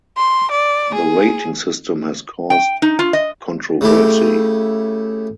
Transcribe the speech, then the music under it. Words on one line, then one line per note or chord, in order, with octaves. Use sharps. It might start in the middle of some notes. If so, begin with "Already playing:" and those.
The rating system has caused controversy.
C6
D5
G#4
G5
D#4
F4
D#5
C#3 A3 E4 G4